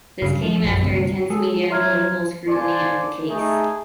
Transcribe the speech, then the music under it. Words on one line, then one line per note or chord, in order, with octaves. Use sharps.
This came after intense media and political scrutiny of the case.
G2 C#3
F3
A#1 F#2
D2 G2 C3
G#3 G#4 A4
F#3 C#5 E5 A#5 C6 F6 G#6
C5 D5 F5 G#5 A5 C6
A3 D#4 G#4